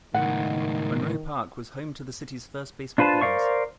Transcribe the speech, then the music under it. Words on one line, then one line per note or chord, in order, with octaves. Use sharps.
Monroe Park was home to the City's first baseball games.
C#2 A2 D#3 F#5
D4 F4 B4 C5 A5
A#4 C5 D5 F5 C#6